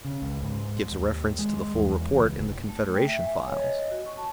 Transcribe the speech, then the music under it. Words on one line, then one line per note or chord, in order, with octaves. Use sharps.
Gives reference to the full report in the Confederation files.
C#3
C#2
G#2
D#2
G#3
E2
C#2
F1
A3
G5
E5
G#5
C#5
D#5
F#4
C#6
A5